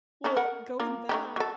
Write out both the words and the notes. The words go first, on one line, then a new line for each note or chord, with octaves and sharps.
Well, going back
C#4 D#4 A4
A#4 F#5
A#3 F4 A#4
A3 D#4 G4
F#3 A4